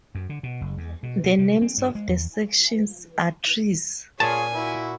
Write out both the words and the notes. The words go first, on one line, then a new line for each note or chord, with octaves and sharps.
The names of the sections are trees.
F#2
D3
B2
F#1
E2
B2
B2
C3
C4
G2
G#3
E2
A#2 F4 G#4 C#5 G#5 A5
E4 F#4